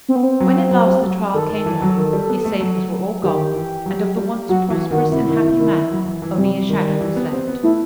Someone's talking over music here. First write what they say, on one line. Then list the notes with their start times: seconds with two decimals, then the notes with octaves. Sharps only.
When at last the trial came on, his savings were all gone, and of the once prosperous and happy man only a shadow was left.
0.09 C4
0.16 B3
0.23 C4
0.40 F#3
0.71 F#3
0.87 G3
1.03 F#3
1.34 D#3 A4
1.50 D#3
1.66 E3
1.82 F#3
1.97 D#3
2.13 G3
2.29 B3
2.45 A3
2.61 F#3
3.23 D#3 G4
3.55 E3
3.86 F#3
4.17 G3
4.49 F#3 F#4
4.70 E3 F#4
4.91 D#3 F#4
5.11 C3 E4
5.28 D#3
5.43 C3
5.60 D#3
5.75 E3
5.91 F#3
6.06 E3
6.22 E3
6.37 C3 G3
6.69 D#3
7.01 E3
7.16 B3
7.32 C4
7.48 B3
7.63 A3 E4